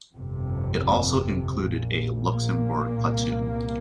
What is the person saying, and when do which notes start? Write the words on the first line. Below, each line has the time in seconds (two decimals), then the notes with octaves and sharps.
It also included a Luxembourg platoon.
0.14 G1 F2 C3
1.57 A#1
1.63 A#2
2.30 A#2 A#3
3.02 C2 A#2